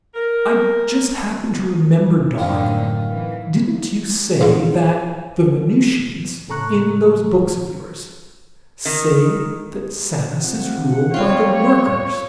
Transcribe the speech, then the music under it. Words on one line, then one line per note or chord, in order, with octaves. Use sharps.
"I just happened to remember, doc; didn't you say that the Venusians, in those books of yours, say that Sanus is ruled by the workers?"
A#4
F#2 A2 D3 D#3 A#3 C4
E3
E2 G#2
A2 C#3 A4 A#5 C#6 F#6
D#3
C3 F4 F#5
G3 C4 F4 C#5